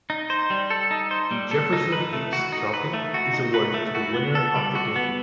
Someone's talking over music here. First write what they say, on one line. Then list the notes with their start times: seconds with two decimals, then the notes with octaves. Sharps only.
The Jefferson-Eppes Trophy is awarded to the winner of the game.
0.10 D#4
0.30 C5
0.50 G3
0.70 A4
0.91 D#4
1.11 C5
1.31 G3
1.51 A4
1.73 D#4
1.92 B4
2.13 A3
2.33 F#4
2.52 D#4
2.74 B4
2.93 A3
3.14 F#4
3.33 D#4
3.54 B4
3.74 A3
3.95 F#4
4.14 B3
4.35 A4
4.55 G3
4.75 F#4
4.96 B3